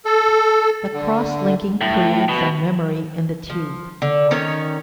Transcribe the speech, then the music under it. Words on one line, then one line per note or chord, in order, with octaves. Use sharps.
The cross-linking creates a memory in the tube.
A4
D3
A2
B2
F3
D3
D#3 C#4 D#4 C#5